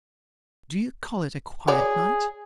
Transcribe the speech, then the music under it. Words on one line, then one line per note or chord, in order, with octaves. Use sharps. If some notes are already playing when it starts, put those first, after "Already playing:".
"Do you call it a quiet night?"
F#4 G#4 C#5 D5